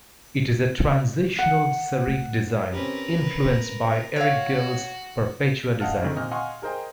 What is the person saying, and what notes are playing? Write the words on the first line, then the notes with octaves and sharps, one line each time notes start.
It is a transitional serif design, influenced by Eric Gill's Perpetua design.
F#5
A3 F4
C4 C#4 G4 A#4 B4
F#4 C#5 F5
D#5 F5 F#5 A5 F6
F1 F2 G#2 D3 D#3
A#2 C4 D#5 F6
D#5 F5 F#5 G#5 C6 C#6
G#4 A#4 C5 D#5 G5